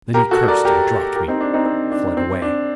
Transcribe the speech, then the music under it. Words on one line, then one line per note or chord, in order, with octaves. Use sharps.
Then he cursed and dropped me; fled away.
G4 A#4
F#4 A4
A#4 D5
G4 A#4
G4 A#4
C4 D#4
D4
C4 D#4
C4
D4
C4
D4